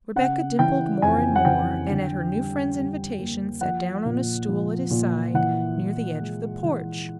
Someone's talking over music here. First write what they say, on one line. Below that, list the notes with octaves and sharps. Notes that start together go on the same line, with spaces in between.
Rebecca dimpled more and more, and at her new friend's invitation sat down on a stool at his side near the edge of the porch.
C#3 F#5
E3 G5
F2 G#5
F#5
E3 G5
D3
G3
G3
A#3
F3 F#5
A#2
F3
A#2
E3 F#5
E3
G#3
E3